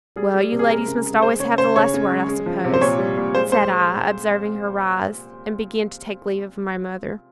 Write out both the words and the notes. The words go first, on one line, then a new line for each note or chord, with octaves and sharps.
'Well! you ladies must always have the last word, I suppose,' said I, observing her rise, and begin to take leave of my mother.
G3 G#4
G3
C3
G#4
G#3 A#4
C#3
G#3
G#3 C5
C#3 C#5
C#3 C5
C#3 C#5
C#3
G#3
G#3
F3
C3
C5
A#2 C#5
G3
A#2
G#3 C5
G#3 C5